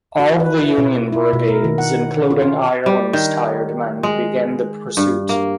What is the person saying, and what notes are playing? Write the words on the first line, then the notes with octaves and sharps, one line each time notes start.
All of the Union brigades, including Ireland's tired men, began the pursuit.
F#4
B4
E4
B2
E4
B2
A#4
D#3
F#5
F4
C#4
G3
D#3
G#3
G2
A#3